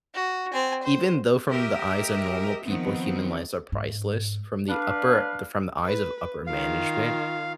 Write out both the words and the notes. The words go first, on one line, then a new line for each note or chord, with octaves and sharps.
Even though from the eyes of normal people, human lives are priceless from the upper from the eyes of upper management,
F#4
C4 G#5
C5
G4 A#4 D#5 E5
D#3 F3 B3 C4
G#2
D4 B4 F5
B4
D#3 F4 F5